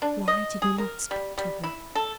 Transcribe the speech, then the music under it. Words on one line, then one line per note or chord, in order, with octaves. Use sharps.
Why did he not speak to her?
D4
D#5
G#4
A#4
G3
G3
E4
A4